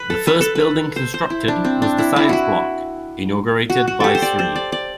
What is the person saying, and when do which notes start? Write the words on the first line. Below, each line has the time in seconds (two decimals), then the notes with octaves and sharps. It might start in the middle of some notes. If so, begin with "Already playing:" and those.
The first building constructed was the science block, inaugurated by Sri.
Already playing: B4
0.10 A4
0.27 B4
0.41 A4
0.55 B4
0.96 C5
1.14 C5
1.30 E4
1.48 D4
1.65 C4
1.82 D4
1.98 E4
2.16 E4
2.29 E4 F#4
3.70 F#4
3.88 F#4
4.00 G4 A4
4.15 C5
4.22 D5
4.39 C5
4.56 D5
4.72 D5